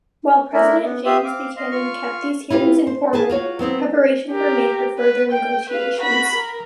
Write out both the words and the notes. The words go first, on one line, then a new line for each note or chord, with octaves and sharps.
While President James Buchanan kept these hearings informal, preparations were made for further negotiations.
A3 D4 E4 A#4
B3
F4 G4 E5 D#6
C4 F5 D6
D#5 F5 C6
F4 C#6 F6
E4 F4 G4 B4
C5
G#4 B4 G#5 A5
F4 F#4 C#5
F#3 B3 C4 E4
G4 A#4
B4
G5
B4 F5
F#4 B5
A#4